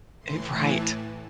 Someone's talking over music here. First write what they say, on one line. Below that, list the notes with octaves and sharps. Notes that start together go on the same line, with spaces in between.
It right.
A2 E3 C6
A5